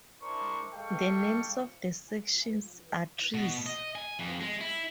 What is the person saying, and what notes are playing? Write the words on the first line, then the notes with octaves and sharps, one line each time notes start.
The names of the sections are trees.
D4 E4 A#4 C5 C#6
G#3 G4 A4 F5 G5 C#6
B2
D#5
G#5
F2
G#3
E4